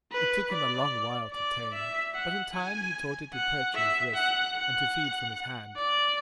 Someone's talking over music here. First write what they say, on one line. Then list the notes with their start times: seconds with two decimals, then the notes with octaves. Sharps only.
It took him a long while to tame, but in time he taught it to perch on his wrist, and to feed from his hand.
0.12 B4
0.52 D5
1.32 D5
1.73 E5
2.14 F#5
2.54 G#5
3.34 F#5
3.75 E5
4.15 F#5
4.55 F#5
5.76 D5